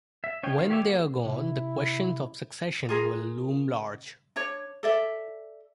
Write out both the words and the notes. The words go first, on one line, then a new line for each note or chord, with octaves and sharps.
When they are gone, the question of succession will loom large.
E5
C#4 C#5 D#5 G5 G#5
D#3 F5
G4 C#5 D5 E5 G#5
A#3 F#4 G#4
C3 E4
F4 G#4 A#4
D4 C#5
A4 D5 E5